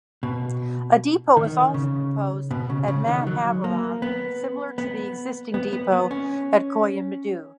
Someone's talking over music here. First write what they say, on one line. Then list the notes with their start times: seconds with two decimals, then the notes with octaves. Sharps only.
A depot is also proposed at Madhavaram similar to the existing depot at Koyambedu.
0.23 B2
1.37 D#3
1.74 C#3
2.51 B2
2.70 C#3
2.88 C#3
3.08 D#3
3.27 F#3
3.64 A#3
4.02 B3
4.78 B3
5.54 B3
5.73 B3
5.92 B3
6.11 C#4